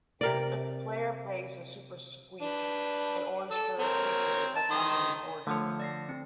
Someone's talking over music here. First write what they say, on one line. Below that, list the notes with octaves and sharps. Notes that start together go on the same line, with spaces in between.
The player plays the Super Skweek, an orange-furred creature of unknown origin.
C3 A#4 D5
D4 B4
A4 E6
C4 A#4 C#5
A5
D#3 C6 D#6
D3 F3 A3 C#5
D5 A#6 C7
C4